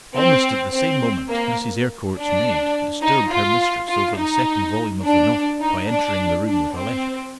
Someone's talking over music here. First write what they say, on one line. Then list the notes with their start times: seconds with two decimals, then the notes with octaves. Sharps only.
Almost at the same moment Mrs. Eyrecourt's maid disturbed her mistress over the second volume of the novel by entering the room with a letter.
0.15 C4
0.72 C4
1.29 A#3
2.16 D4
3.02 D#4
3.31 F4
3.88 F4
4.17 D#4
5.03 D4
5.61 D#4
5.89 D4
6.46 D4
6.75 C4